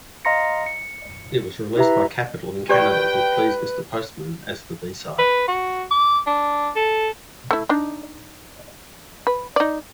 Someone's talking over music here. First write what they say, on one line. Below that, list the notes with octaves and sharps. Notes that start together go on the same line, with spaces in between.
It was released by Capitol in Canada with "Please Mister Postman" as the B-side.
D#5 F5 A#5 C6 A#6 C#7
C#7
E4 G4 B4 E5 A#5
G4 B4 D5 G5 C#6
B4
F#4
D6
D4
A4
A3 E4
D4 D#4
B4
D#4 D5